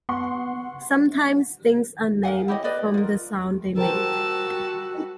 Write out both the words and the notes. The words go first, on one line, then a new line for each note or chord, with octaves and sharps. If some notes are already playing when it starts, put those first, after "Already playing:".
Sometimes things are named from the sounds they make.
B3 F#5 C6 C#6
A#4 F5 F#5 G#5
E4 G4 C#5 D#5
G4 B4 D5 D#5
F4 A#4
G3 F#4 A#4 C5 G5 A5 E6